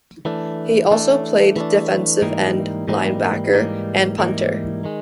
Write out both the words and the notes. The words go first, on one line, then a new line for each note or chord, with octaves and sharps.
He also played defensive end, linebacker, and punter.
E3 A3 D4
E3 A3 D4
E3 A3 D4
G#2 E3 G3 A#3 D#4
G#2 E3 G3 A#3 D#4
G#2 E3 G3 A#3 D#4
G#2 E3 G3 A#3 D#4
D#3 G#3